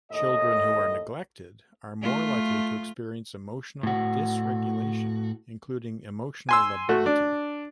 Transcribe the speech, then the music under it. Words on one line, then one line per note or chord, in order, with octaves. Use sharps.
Children who are neglected are more likely to experience emotional dysregulation, including emotional lability.
D#2 A2 A4 D#5
A3 F4
A2 F#4
G#5 C6 E6
A3 F#4
D4